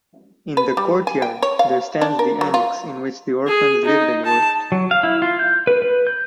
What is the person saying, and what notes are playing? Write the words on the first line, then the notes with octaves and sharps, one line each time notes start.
In the "Courtyard" there stands the annex in which the orphans lived and worked.
B4
G3
G#5
G5
C#5
F5
D4
A#4
F#3
F4
G#4
D#4
A5
F#3
F5
E4
F4
G6
B4
B4
G6